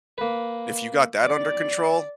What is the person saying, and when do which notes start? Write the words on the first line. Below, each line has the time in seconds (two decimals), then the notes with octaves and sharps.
if you got that under control
0.18 A#3 B4
1.24 D5 D6